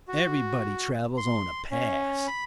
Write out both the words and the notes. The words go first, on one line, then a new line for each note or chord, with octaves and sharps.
Everybody travels on a pass.
F#4
C6
C#4
B5